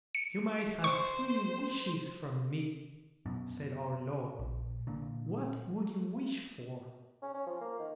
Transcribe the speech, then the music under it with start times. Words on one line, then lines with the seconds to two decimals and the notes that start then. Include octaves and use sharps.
'If you might have three wishes from me', said our Lord, 'what would you wish for?'
0.15 C#7
0.84 C5 C#6
3.26 F#2 B2
4.39 A#1
4.87 A#2 D3
7.22 C#4
7.34 C#4
7.47 F3
7.61 A#3
7.79 D#3